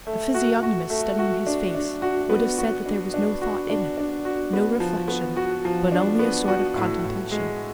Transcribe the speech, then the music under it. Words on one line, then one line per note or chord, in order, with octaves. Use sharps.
A physiognomist studying his face would have said that there was no thought in it, no reflection, but only a sort of contemplation.
A3
F#4
F#4
A3
F#4
D4
D4
F#4
B3
F#4
D4
D4
F#4
D4
D4
F#4
B3
F3
B3
F#4
F3
D4
B3
F#4
A2
A2
G#3